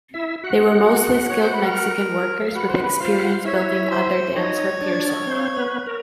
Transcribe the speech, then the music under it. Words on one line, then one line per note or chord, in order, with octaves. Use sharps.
They were mostly skilled Mexican workers with experience building other dams for Pearson.
E4 E5
F#4 F#5
C#5
C5
B4
A#4
E5
F5
F#4 B4 F#5
C5
B4
F4 C5 F5
F#5
F5
E4 C#5 E5
C5
D#4 C#5 D#5
D4 D5
C4 C5
B3 B4
A#4